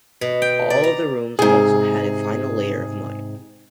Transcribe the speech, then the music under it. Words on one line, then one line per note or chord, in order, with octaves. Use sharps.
All of the rooms also had a final layer of mud.
B2
G5
D5
A#5
G#2 C3 G#4